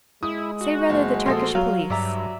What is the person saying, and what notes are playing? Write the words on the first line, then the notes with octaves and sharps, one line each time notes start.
'Say rather the Turkish police.
G#3 E4 D#6
F#4
F#1
A#1 A4 C5 C#5 D#5
F#3 F5
G2 D5 E5 A#5